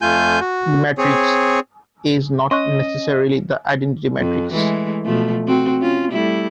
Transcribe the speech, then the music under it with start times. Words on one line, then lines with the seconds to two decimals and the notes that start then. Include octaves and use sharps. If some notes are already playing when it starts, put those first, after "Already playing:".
The matrix is "not" necessarily the identity matrix.
0.02 F2 A3 F4 G#5 G6
0.40 F#4
0.98 C4 G#4 C#5
2.51 C#4 D#5 C6 C#6 F#6
4.17 F2
4.53 E3 G#3 A3
5.05 B2 F3 A3
5.48 C4 F#4
5.81 C#4 F4
6.10 G3 A3 E4